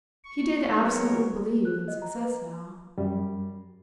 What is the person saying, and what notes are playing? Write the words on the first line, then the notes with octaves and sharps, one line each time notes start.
He did absolutely believe in success now.
C#6
F#3 G#3 B3 A#4 C#5
F#6
D#5
A#5
B4
F#2 G3